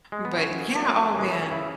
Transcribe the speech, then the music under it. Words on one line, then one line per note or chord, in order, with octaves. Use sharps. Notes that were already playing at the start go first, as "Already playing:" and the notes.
But yeah, oh, man.
G#3
B3
F#2 F#3 C#4
F#2 F#3
F#2 C#3 E3 G#3
B3
E4
C#4
C#3 E3 E4